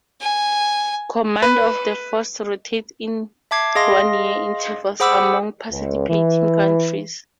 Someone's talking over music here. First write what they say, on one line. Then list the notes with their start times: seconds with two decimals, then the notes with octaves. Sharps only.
Command of the force rotates in one year intervals among participating countries.
0.20 G#5
1.42 B4
3.51 E5 A5 D6 G#6 C7
3.75 G#4 D#5 F5 C6 A#6
5.00 G#4 C5 F#5 B5 D6 E6
5.70 C#2
6.09 E3